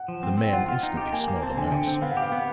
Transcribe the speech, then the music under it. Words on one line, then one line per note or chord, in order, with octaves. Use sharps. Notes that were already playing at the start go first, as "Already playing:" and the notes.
The man instantly smelled a mouse.
Already playing: F#5
F3
C4
C4
G5
F4 F#5
F4
D#4
G4
G5
A#3 G#5
A#3
C4 A5
D3 G#5
D3 G5
C4
B3 F5
F#5
G4
F5
B3